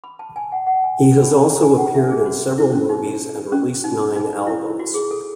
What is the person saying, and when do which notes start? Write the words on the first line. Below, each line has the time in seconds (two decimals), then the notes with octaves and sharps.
He has also appeared in several movies and released nine albums.
0.04 B5
0.19 A5
0.36 G#5
0.52 F#5
0.67 F#5
0.84 G#5
1.23 B5
1.31 A5
1.62 G#5
1.77 F#5
1.94 E5
2.10 G#4
2.26 F#4
2.58 E4
2.73 C#4
2.89 D#4
3.52 C#4
3.84 D#4
4.16 D#4
4.47 E4
4.79 F#4
4.94 G#4
5.11 A4